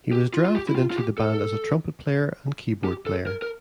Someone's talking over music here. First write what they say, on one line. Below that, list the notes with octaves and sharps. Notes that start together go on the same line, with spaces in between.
He was drafted into the band as a trumpet player and keyboard player.
G4
F4
F4
G4
E4
F4
F4
G4
A4
G4
A4
A#4
A#4